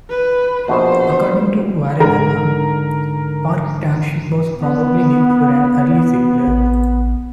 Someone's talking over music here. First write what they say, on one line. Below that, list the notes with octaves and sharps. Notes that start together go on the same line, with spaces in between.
According to Warren Upham, Parke Township was probably named for an early settler.
B4
A#1 B2 C5
G#2 D3 A#4
B3
A1